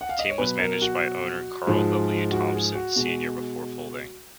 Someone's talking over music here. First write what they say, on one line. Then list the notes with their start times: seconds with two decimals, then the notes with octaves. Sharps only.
The team was managed by owner Carl W. Thompson, Senior before folding.
0.01 F#5
0.09 F5
0.19 D#5
0.29 C#5
0.38 B2 F#3 B4
0.60 A#4
0.82 F#4
1.67 G#2 F3 G#3
2.31 F#4
2.54 G#4
2.75 F#4
2.96 B2 G#3 F#4